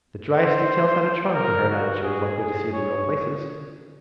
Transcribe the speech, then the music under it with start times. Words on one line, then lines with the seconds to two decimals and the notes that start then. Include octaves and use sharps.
The driest details had a charm for her now that she was likely to see the real places.
0.30 C5
1.35 A#4
1.69 F#4
2.03 G#4
2.39 G#4
2.73 C#5